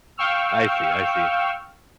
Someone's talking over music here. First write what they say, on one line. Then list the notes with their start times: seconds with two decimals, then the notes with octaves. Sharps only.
I see, I see.
0.17 F5 G5 C#6 E6 F6